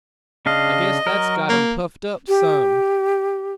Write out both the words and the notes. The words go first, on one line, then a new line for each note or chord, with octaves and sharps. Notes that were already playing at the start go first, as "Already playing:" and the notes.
"I guess that's got him puffed up some."
C#3 D4 D#5 F5
F#3 A#4
A#3
G4